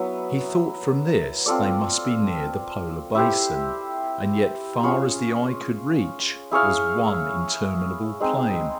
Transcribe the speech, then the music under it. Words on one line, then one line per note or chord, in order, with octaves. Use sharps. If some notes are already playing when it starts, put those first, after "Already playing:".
He thought from this they must be near the Polar Basin, and yet far as the eye could reach was one interminable plain.
Already playing: F#3 B3 E4
C4 F4 A4 D5
E4 G4 C5
C#4 F4 G#4 C#5
E4 G#4 C#5 F5
G#3 C4 D#4 G#4